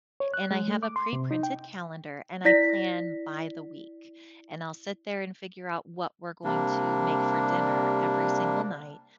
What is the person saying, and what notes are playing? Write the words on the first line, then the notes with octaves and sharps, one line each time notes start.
and I have a preprinted calendar, and I plan by the week. And I'll sit there and figure out what we're going to make for dinner every single night.
C#5
F#6
G#3
A3
D6
C6
C3
D#4
G5
E4 D5 A#6 B6
C3 G3 A#3 D4